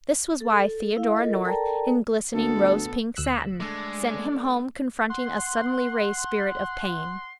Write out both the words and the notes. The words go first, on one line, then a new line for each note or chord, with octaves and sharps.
This was why Theodora North, in glistening rose-pink satin, sent him home confronting a suddenly-raised spirit of pain.
A4
E4 F5
F4 A4 A#4 D#5
A4 A#4 D5 G5 A5 A#5
D2 B3 A4
D2 E6 F#6
G#3 A3 D4 A4 D5
F#5 C6